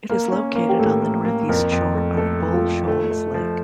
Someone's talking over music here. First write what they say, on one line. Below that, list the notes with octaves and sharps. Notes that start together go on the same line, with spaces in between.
It is located on the northeast shore of Bull Shoals Lake.
A#3 A#4
C#4
A#3
G4
A2 A4
A#3
A#3
F2 A#4
F2
A3
A3 A4
A3
F4
A3
A3
A3
F3